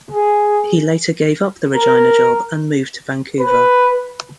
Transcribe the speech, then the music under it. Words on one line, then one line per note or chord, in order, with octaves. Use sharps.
He later gave up the Regina job and moved to Vancouver.
G#4
A#4
B4